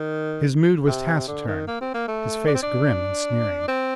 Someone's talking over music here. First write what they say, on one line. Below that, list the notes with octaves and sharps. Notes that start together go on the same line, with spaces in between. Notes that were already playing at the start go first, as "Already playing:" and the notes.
His mood was taciturn; his face grim and sneering.
Already playing: D#3
C3
D3
D#3
A#3
C4
A#3
A3
D4
C4
D4
C4